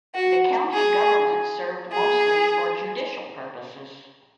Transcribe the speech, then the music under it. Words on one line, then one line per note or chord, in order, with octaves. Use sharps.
The county government served mostly for judicial purposes.
F#4
G#4
G#4